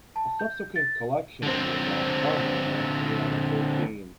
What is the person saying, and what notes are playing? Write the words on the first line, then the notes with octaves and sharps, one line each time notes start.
A subsequent collection by John Farmer managed to gather thirteen.
A5
G6
A6
D3 C4